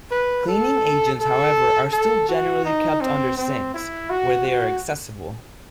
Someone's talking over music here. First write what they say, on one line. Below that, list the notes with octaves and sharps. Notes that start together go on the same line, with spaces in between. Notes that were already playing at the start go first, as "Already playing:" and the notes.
Cleaning agents, however, are still generally kept under sinks, where they are accessible.
B4
A4
A4
A4
F#4
D#4
C4
C4
E4
F#4
F#4